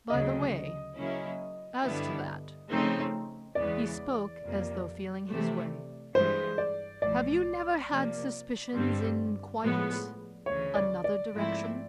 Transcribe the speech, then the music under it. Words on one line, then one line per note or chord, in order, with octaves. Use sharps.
"By-the-way, as to that"--he spoke as though feeling his way--"have you never had suspicions in quite another direction?"
D2 C#3 F#3 D#5
C#3 F#3 A#3 C#4 E4
G2 D3 G3 B3 E4
C#3 F3 A3 C4 D#4
E2 C#3 E3 G#3 B3 D5
F2 C3 F3 A#3
C3 E3 A3
G2 E3 G#3 C5
D5
B1 A2 F3 D5
C3 F3 A#3
G2 D3 G3 C4
A2 F3 G#3 B3
D2 C#3 E3 C#5
D5
D5
G#2 F3 A3 C4 E4